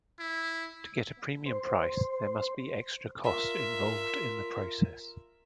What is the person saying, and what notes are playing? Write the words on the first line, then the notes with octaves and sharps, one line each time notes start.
To get a premium price, there must be extra cost involved in the process.
E4
C5
F4 A#4 E5